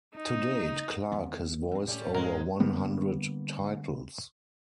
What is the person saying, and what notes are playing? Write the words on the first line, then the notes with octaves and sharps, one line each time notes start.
To date, Clarke has voiced over one hundred titles.
D#4
E2 D#3 B3
E3 C4
A2 G3 A3 C#4
B1 G#2 F3 F#3 G#3 A#4
D3 G3 A#3 B3